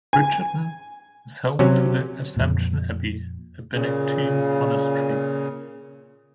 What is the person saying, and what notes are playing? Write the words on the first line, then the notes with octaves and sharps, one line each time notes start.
Richardton is home to the Assumption Abbey, a Benedictine Monastery.
G#5
C3 F#3 C#4
F2 A#2
A#2 C#3